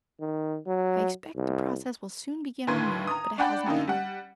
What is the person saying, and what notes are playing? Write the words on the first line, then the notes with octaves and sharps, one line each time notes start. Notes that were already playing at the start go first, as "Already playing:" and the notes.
I expect the process will soon begin on me, but it hasn't yet.
D#3
F#3
C2
D#2 A2 D3 B4 C6 G#6
A#5 D#6
D4 D5 F#5 G5 B5
F#2 D3 A#3 D#4
G3 F#5